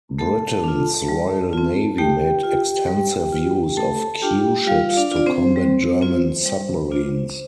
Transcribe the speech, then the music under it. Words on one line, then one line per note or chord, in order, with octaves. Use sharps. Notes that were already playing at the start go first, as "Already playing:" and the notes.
Britain's Royal Navy made extensive use of Q-ships to combat German submarines.
A3 A4 A5
D4 F4
G3
C4 F4
A3 G4 G5
F4
G3
F4
A3 A4 A5
D4 F4 G4 G5
G3 F4 F5
D4 D5
F4 D5
C4 C5
G3
C4 F4
G3
D4 F4